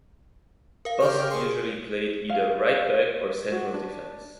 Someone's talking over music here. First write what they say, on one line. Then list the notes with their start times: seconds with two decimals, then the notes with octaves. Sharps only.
Busk usually played either right-back or central defence.
0.85 A#4 F5
1.00 C#3 G4 G5 F6
1.30 G#4 C6 C#6
2.30 F5
2.68 F5
3.52 F#4
3.74 D4